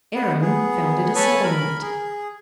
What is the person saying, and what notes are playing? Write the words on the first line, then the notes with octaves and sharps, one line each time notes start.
Aaron founded a settlement.
B3
B3 G#4
A4 B4 C#5 G#5 A5
A#4 B5
G#4